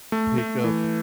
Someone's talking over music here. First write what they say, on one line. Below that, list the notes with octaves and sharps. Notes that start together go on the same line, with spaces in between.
pick up
A3
A3
E3